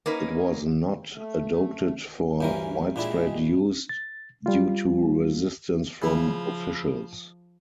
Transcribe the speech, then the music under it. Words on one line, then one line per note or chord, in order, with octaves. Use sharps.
It was not adopted for widespread use due to resistance from officials.
A#3 C#4 D#4 B4
A3
D2 G2 E3 C#4 A#4
A#2 G#3 D4 E4 G4 G#4
A6
G3 F4
C#3 F3 E4